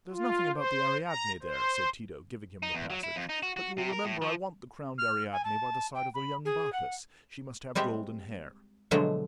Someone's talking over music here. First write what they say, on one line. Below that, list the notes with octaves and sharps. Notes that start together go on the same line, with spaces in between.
"There's nothing about the Ariadne there," said Tito, giving him the passage; "but you will remember I want the crowned Ariadne by the side of the young Bacchus: she must have golden hair."
F4
C5
A#5
C5
D#4
E2
F#3
E4
F2
D#4
F#4
F#4
C3
A#4
A2
F3
F6
G#5
A5
G5
B5
G#4
F#5
G3 G#3 C4 G4 E5
B2 D3 F3 F#3 G#3 A3